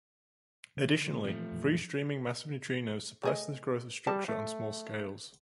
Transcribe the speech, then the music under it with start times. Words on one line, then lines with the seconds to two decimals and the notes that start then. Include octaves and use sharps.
Additionally, free-streaming massive neutrinos suppress the growth of structure on small scales.
0.77 D3
1.07 A#2
1.24 A#2 E3 F3 A3 C4
1.51 F2 A#2 E3
3.23 A3 G#4 D#5
4.07 G3 A5
4.28 A3